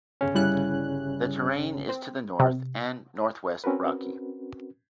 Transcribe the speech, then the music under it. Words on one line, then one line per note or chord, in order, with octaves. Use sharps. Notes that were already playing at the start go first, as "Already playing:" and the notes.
The terrain is to the north and north-west rocky.
G1 C#3 C#4
G3 E4 F#6
C4
C3
C4 C#4 F#4 A#4 B4